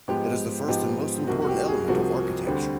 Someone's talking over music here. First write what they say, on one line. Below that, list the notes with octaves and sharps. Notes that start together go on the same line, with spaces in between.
It is the first and most important element of architecture.
G#2 F3 G#3 B3 G4
G#2 F3 G#3 B3 G4
C2 C3 F3 A#3 F#4
F#4
G4
G#4
C2 C3 F3 A#3 F#4
D2 D3 G3 C4